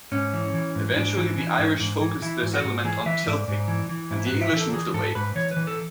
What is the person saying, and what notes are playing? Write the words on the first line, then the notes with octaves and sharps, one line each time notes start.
Eventually the Irish focused their settlement on Tilting, and the English moved away.
G#2 C#4
E3
E3
G#2
G#2 D4
E3
E3
G#2
G#2
E3
E3 E4
G#2
F#4
G#2
E3 G#4
E3 E5
G#2 D5
G#2
E3
E3
G#2 E4
F#4
G#2
E5
E3 A4
E3 G#4
G#2 A4
G#2 B4
E3 C#5
B4
E3
A4